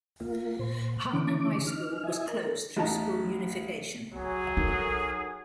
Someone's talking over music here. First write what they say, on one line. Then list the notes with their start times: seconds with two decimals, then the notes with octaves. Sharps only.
Hardtner High School was closed through school unification.
0.21 A#3 F4
0.59 A#2 C5
1.13 D3 E3 C#4 D6
1.67 D#4 F6
2.04 E4 D#5 E5 G#5
2.28 A#4
2.77 A1 E2 D#4 A5 A#5
4.15 F#3 G#4 G#5
4.57 D#4 A4 A#4 D#6